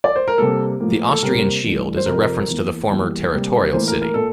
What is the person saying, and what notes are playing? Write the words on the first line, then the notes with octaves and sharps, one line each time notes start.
The Austrian shield is a reference to the former territorial city.
D5
C5
A#4
C3 G3 A#3 A4
A2 F3 A#3
A4
C3 G3 A#3 A#4
G2 E3 A3
C5
F2 C3 F3 A#4
E2 E3 A#3
E2 E3 G3 A#3
C3 G3 A#3
A2 E3 A#3 C5
A#4
A#4
A#2 A4